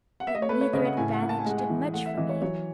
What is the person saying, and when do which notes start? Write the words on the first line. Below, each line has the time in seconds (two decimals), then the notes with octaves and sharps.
But neither advantage did much for me.
0.20 F#5
0.27 E5
0.35 D#5
0.42 C#5
0.49 A3 B4
0.61 C#5
0.73 C#3 D#5
0.85 F#5
0.97 A2 G#5
1.13 F#5
1.22 A2
1.29 A5
1.39 G#5
1.46 G#3 F#5
1.58 G#5
1.70 E3
1.94 A3 F#5
2.06 E5
2.17 E3 D#5
2.29 C#5
2.42 F#3 C#5